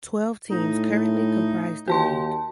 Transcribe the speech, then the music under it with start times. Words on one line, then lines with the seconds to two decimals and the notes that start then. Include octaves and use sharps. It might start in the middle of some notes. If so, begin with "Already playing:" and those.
Twelve teams currently comprise the league.
0.51 A2 D#4
1.88 D#2 F#4 A5 C6